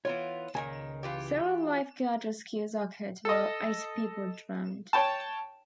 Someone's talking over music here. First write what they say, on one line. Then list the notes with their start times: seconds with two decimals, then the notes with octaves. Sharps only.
Several life guard rescues occurred, while eight people drowned.
0.05 E3 B3 F4 C#5
0.55 C#2 A#2 D#3 G#5
1.03 E3 F4 G4
3.25 A4 D#5
4.93 C#5 G5 A5